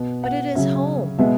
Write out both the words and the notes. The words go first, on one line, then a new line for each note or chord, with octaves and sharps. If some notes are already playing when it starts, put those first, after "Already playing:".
But it is home.
Already playing: B2 B3
F#5
C#3 F#3 C#4 E5
B2 G#3 B3 E5